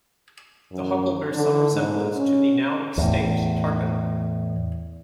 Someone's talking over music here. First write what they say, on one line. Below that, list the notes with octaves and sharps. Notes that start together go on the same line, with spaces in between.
The Hucul bears some resemblance to the now-extinct Tarpan.
F#2
D3
G#2
C#4
E2 A2